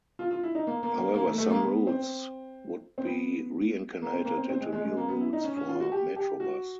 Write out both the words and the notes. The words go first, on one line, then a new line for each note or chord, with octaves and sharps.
However some routes would be reincarnated into new routes for Metrobus.
F4
F4
E4
D#4
A#3
A#3
A#3
A#3
A3
A3
A#3
B3
C4
C4
B3
A#3
C4
A#3
C4
C4
G#3
G#3
G#3
A#3
B3
E4
D#4
C#4
C#4
F4
F#4
G4
G4
F#4